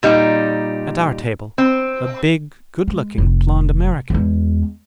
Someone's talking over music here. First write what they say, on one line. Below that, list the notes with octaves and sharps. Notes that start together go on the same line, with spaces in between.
At our table--a big, good-looking blond American.
A#2 G3 D#4
C4
G#3
F1
E2 G#3